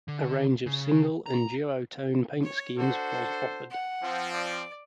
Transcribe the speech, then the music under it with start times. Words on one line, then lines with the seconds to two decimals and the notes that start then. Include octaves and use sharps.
A range of single and duo-tone paint schemes was offered.
0.08 D3
0.66 C#3
1.26 A#5
2.43 C#5
2.78 D4 F#4 A4 C5
3.70 F#5
4.03 F3 C4
4.32 D5 D6